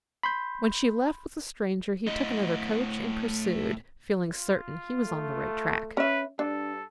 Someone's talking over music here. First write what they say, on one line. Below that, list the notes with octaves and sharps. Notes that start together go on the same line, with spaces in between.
When she left with the Stranger he took another coach and pursued, feeling certain he was on the right track.
B5 C6 G6
A2 D#5
F4
A3
C#4 B4 E5
G2 D4 A4